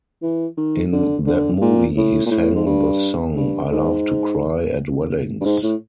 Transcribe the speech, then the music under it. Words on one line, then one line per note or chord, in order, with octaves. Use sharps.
In that movie, he sang the song "I Love to Cry at Weddings".
E3
D#3
D3
D3
A#2
A2
A#2
A2
G#2
G2
G2
G#2
G2
G#2
A2